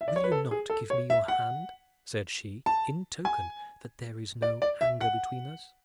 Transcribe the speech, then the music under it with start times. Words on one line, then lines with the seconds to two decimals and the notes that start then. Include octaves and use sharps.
"Will you not give me your hand," said she, "in token that there is no anger between us?"
0.01 E5
0.08 D5
0.16 C#5
0.24 B4
0.32 A4
0.51 G#4
0.70 A4
0.90 C#5
1.10 E5
1.28 F#5
2.66 A5
3.25 G#5
4.42 D5
4.62 D5
4.81 E5
5.01 F#5